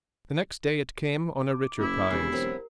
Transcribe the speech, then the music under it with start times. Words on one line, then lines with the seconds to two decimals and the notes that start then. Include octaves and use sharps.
The next day it came on a richer prize.
1.50 D6
1.79 F#1 E4 D6
2.11 E1 C#3 G4 C7
2.32 F#3 B3 C4 A#4